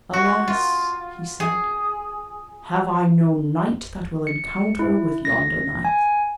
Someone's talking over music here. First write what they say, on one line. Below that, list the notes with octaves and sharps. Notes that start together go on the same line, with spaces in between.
Alas, he said, have I no knight that will encounter with yonder knight?
F#4
F4
G#4
C#7
E4
A#6
G#5